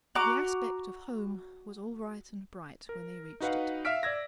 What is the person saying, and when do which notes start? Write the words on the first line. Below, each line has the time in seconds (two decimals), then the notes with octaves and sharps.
The aspect of home was all right and bright when they reached it.
0.15 F#4 A#5 D6
2.89 A#4
3.40 D#4 F#4 B4 F5 F#5
3.85 E5 F5 E6 F6 B6 D7
4.03 D5 E6 G#6 A#6